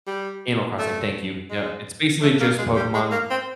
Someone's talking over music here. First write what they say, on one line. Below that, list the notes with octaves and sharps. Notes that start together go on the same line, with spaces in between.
Animal Crossing, thank you, yep. It's, basically, just Pokemon
G3
A3
G#3
A3
A#3
G#3
G3
G#3
A#3
C4